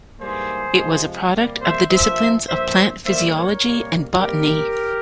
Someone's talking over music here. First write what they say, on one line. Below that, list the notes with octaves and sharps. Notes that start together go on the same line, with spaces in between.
It was a product of the disciplines of plant physiology and botany.
G#2 E3 G3 A#3 G#4 C5
C3 F3 G#3
C3 G3 A#3
C5 E5
G2 F3 A#3 C5 E5
G2 F3 A#3 C5 E5
G2 G3 A#3 C5 E5
A#4 C#5
C3 G3 A#3
C3 G3 A#3 G4 A#4